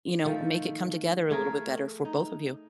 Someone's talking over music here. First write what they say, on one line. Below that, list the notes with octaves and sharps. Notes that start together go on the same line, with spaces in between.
you know, make it come together a little bit better for both of you.
D#3 F3 A3 A4
A3 G#4 A#4
D#4